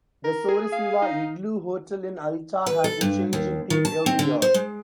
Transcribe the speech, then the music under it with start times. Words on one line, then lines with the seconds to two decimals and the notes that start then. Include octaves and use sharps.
The Sorrisniva Igloo Hotel in Alta has a changing theme every year.
0.24 A#4
0.49 G#4
0.72 F5
1.02 D#4
2.66 B4
2.84 A4
3.01 G2
3.33 D#2
3.70 D#3
3.85 A5
4.06 C4
4.19 D3
4.42 C5
4.54 G#3